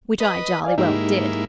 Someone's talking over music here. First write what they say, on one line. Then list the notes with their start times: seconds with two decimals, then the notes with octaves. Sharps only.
Which I jolly well did.
0.20 B4 D#5
0.64 D5 F5 G#5
0.78 G#2 A#3 D#4 E4 G4